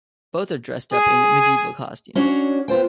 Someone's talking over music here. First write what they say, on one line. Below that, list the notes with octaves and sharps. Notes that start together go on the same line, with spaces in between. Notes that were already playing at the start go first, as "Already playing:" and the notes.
Both are dressed up in medieval costumes.
G#4
C#4 D4 F#4 C#5
B3 F4 C5 G5